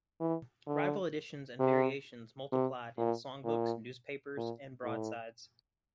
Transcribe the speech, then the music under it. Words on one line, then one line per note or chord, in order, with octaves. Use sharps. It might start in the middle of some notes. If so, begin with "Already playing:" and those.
Rival editions and variations multiplied in songbooks, newspapers and broadsides.
E3
D3
C3
C3
A#2
A#2
A#2
A2